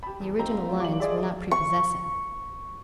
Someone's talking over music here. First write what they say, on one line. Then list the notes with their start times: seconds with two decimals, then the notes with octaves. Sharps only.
The original lines were not prepossessing.
0.03 G4 A5 B5
0.21 E2
0.39 F3 C4 D#4 G4 A#5 C6
0.69 F4
0.80 G3 D6 F#7
1.00 G#3 G#4 D5 E5
1.51 C#6